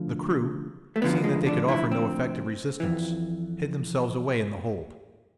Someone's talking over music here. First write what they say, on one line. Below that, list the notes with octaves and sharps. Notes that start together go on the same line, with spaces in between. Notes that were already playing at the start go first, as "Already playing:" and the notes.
The crew, seeing that they could offer no effective resistance, hid themselves away in the hold.
Already playing: D2 D3 F3
A3
D2 D3 F3 B3
G#3
D4
E4
C4
F2 E3